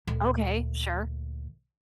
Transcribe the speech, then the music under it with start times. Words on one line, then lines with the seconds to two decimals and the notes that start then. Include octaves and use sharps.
Okay, sure.
0.07 D2 A#2